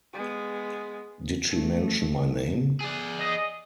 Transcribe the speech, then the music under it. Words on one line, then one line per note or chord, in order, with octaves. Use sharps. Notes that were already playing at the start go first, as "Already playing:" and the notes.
Did She Mention My Name?
G#3 B3
A3
G#4 D5
D#5